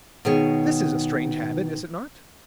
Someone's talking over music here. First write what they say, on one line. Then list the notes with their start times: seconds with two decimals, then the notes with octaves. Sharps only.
This is a strange habit, is it not?
0.25 B2 D#3 G#4 C#5